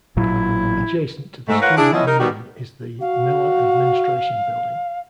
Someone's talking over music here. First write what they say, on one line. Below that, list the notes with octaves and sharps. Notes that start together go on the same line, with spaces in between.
Adjacent to the Student Union is the Miller Administration Building.
A1 A#2 F#3 E4
G#2 A3
F4 A#4 B4 C#5 F5 F#5
D4 E4 G#4
F3 B3 C#4 E4 D#5
D#4 A#4
B2 D#3 G3 B3 F#4 G4
F#4 F5